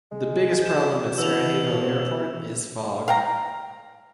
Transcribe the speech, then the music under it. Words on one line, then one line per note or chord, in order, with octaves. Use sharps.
The biggest problem at Sarajevo Airport is fog.
G#3
G6 E7
B2 E3 E6 F7
B2 F3
F5 G5 A#5